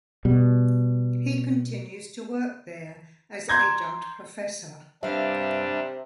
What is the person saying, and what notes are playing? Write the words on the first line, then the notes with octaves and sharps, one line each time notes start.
He continues to work there as Adjunct Professor.
B2 G3
A#5 C6 G6 G#6 A#6
G2 C3 G3 D4 E5 F5